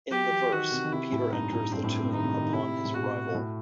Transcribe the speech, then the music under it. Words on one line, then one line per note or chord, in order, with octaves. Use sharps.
In the verse, Peter enters the tomb upon his arrival.
F#3 G4
E3
D#3 F#4
C3
D#3
C3 E4
A2
G2 D#4
A2
G2 C4
A2
C3
D#3 D#4
C3
D#3
D#3
C3 E4
A2
B2 F#4
A2